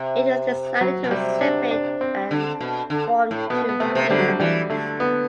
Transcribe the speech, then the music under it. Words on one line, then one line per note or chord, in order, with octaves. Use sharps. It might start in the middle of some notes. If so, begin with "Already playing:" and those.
It was decided to separate and form two teams.
Already playing: C3
F#3
B2
C3 G3
D4
D4
C4
D3
B2
D3
A2
B2 B3
B3
C3 A3
C3
D3 G3
F#3
G3
E3 G3
D3 A3
B3